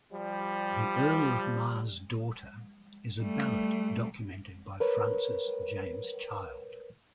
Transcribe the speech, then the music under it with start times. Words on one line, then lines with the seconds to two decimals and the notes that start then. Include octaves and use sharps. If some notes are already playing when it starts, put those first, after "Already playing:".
The Earl of Mar's Daughter is a ballad documented by Francis James Child.
0.13 F3 G3
3.20 G3 A3
4.80 A#4 B4 C#5